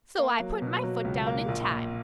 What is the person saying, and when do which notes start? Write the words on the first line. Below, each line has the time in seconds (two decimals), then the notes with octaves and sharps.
So I put my foot down in time.
0.18 A#3
0.40 F#3
0.62 B2
0.84 F#3
1.05 C#2
1.26 A#3
1.48 A#1
1.70 A#1